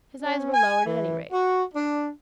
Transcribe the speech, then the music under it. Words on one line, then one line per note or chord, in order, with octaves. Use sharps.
His eyes were lowered, at any rate.
C#4
G#5
E3
F#4
D4